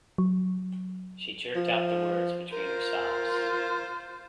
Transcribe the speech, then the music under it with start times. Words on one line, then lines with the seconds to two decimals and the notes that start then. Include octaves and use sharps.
She jerked out the words between her sobs.
0.18 F#3
1.55 F3
2.53 F4 A#4 C5